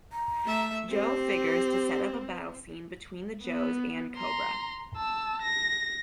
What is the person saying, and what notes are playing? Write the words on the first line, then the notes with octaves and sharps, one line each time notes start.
Joe figures to set up a battle scene between the Joes and Cobra.
A#5
A3 E5
C4 G4
B3
A#5 C6
A5 E6
A#6